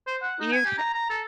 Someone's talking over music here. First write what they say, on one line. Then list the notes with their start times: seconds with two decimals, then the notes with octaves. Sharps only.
you c
0.07 C5
0.22 F#5
0.40 D#4
0.52 G#5
0.66 G4
0.78 A#5
0.94 A#5
1.10 A4